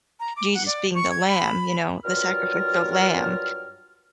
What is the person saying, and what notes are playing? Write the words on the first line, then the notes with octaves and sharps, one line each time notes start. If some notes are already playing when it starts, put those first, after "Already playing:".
Jesus being the lamb, you know, the sacrificial lamb,
A#5
D6
F#5
D5
C#6
G#6
B5
G2 F#3 F4 A#4 F6